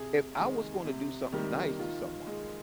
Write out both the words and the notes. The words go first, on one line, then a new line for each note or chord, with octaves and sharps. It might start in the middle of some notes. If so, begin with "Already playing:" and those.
if I was gonna do something nice to someone
Already playing: C3 G#4
D#3 G#3
C3
D#3 G3 A#3
D#3 F4
G#3